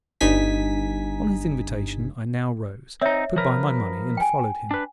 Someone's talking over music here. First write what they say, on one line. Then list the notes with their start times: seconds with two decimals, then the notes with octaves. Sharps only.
On his invitation I now rose, put by my money, and followed him.
0.20 G1 G2 D#4 G#5 B6
3.01 C4 D#4 C#5 E5
3.36 F3 A#4 B4
4.17 G5 G#5
4.71 D4 B4